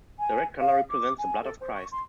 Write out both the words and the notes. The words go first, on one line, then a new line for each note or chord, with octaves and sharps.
The red colour represents the blood of Christ.
G#5
F5
D6
G#5
A4
C5
C#6
C6